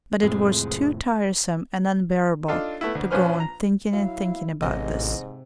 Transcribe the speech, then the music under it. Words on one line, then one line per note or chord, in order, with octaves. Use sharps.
But it was too tiresome and unbearable to go on thinking and thinking about this.
F2 A2 C3 G#3 A3
D4 D#4 F4 A4
A3 B3 E4
D2
A#1 F3 C#4 B4 C5 F6
A#5
F#3 E4 F5
A1 G#2 C3 D#5